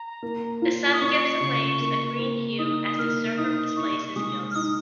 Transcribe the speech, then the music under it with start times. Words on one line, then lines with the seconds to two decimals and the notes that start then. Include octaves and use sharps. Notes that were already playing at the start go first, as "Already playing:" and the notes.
The sun gives the waves a green hue as this surfer displays his skills.
Already playing: A#5
0.23 A#3
0.62 F4
0.93 D#6
1.01 C#4 C#6
1.40 C#3
1.80 A#3
2.19 A#3
2.59 D#4 D#6
2.98 A#3 F6
3.37 D#4 D#6
3.76 D#4 C#6
4.05 C#6
4.16 G#3 D#6
4.51 F6
4.55 D#4 D#6